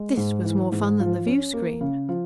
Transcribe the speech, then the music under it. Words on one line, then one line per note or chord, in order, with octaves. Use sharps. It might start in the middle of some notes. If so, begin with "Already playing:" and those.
This was more fun than the viewscreen.
Already playing: G#3
G#2
E3
G#2
F3
C#4
A#3
C#3
F3